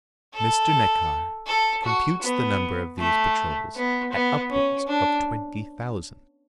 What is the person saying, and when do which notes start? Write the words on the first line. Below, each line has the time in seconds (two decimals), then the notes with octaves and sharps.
Mr. Neckar computes the number of these patrols at upwards of twenty thousand.
0.34 A4
1.46 A4
1.84 F#4
2.22 B3
2.99 A3
3.75 B3
4.12 B3
4.51 C#4
4.88 D4